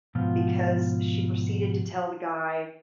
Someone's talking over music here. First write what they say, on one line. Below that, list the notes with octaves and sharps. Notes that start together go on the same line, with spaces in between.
because she proceeded to tell the guy,
G#2 B2 F3 F4